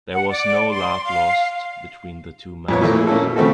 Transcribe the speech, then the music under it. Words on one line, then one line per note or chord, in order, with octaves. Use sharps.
There was no love lost between the two masters.
F#5
D5
C6
F5
F2 A#2 B3 C#5
A#2 E3 F3 A3 A#3
E4 G#4
A#3 C#4 E4 A4
B2
C#3 F3 A3 C4 F#4 A4